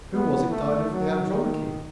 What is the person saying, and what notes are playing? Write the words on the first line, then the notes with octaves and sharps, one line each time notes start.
Who was it died of "The Andromache"?
B3
A3
F#3
D#3